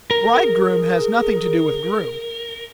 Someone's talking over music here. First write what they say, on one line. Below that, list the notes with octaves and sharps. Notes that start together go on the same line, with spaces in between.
Bridegroom has nothing to do with groom.
A#4
G#4